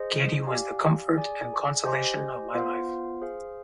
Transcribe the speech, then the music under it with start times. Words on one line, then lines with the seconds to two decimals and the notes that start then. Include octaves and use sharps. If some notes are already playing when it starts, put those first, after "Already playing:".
Katie was the comfort and consolation of my life.
Already playing: G#4 C5 D#5
0.47 G4 D5 F5 G#5
1.16 G#4 D5 G#5
1.84 G4 C5 D#5 G#5
2.53 B3 F4 C5 F5
3.22 G#4 C5 F5